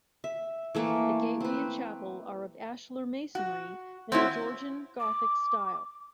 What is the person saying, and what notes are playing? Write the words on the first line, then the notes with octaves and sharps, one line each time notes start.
The gateway and chapel are of ashlar masonry in a Georgian Gothick style.
E5
E3 A3 A#3
C4 B4
F#4
C4 C#4 E4 F#4
D6